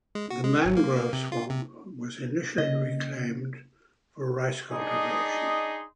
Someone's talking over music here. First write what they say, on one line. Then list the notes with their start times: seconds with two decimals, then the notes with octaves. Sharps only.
The mangrove swamp was initially reclaimed for rice cultivation.
0.15 G#3
0.30 F#4
0.44 G#3
0.65 G#1
0.77 A#3
0.95 A#3
1.13 C3
1.32 F4
1.50 C3
2.58 C#3 A#3 C#4 D#5
4.72 D4 D#4 G#4 D#5 C6